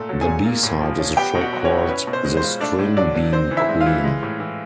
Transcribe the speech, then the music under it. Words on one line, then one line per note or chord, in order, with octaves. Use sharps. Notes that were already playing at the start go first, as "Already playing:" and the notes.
The B-side is a track called 'The String Bean Queen'.
Already playing: A#2 A3 A4
F#3
G#4 G#5
A#2
A#3
A2
F3
C#4
B3 G4 G5
B2
F#4 F#5
F#3
C#4 C#5
E4
C#4 B4
B2
C5
G#3
C5
F4
A3 D4 D5
A2
F#3 D4 D5
D4
C4 C5
E3
E4 E5
G#3
F4 F5
E3
G#3
A2
E3